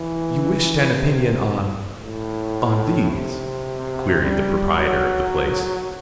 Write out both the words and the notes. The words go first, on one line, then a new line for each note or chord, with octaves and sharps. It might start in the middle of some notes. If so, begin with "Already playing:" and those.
"You wished an opinion on--on these?" queried the proprietor of the place.
Already playing: E3
C3
A2
C3
G3
F#3